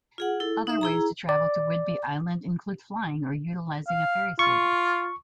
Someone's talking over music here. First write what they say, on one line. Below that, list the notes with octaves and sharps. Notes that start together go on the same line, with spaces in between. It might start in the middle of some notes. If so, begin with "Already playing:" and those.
Other ways to travel to Whidbey Island include flying or utilizing a ferry service.
F4 G#4 F#5
E4 A4
D#4 E5
E4 G#4 A#5
D5
F5
F4 C#6